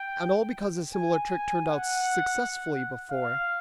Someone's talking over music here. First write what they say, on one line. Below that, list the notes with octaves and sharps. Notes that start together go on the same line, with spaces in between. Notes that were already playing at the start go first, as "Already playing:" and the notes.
And all because a similar trick turned out successfully before!
Already playing: G5
G#5
G#5
F#5
F5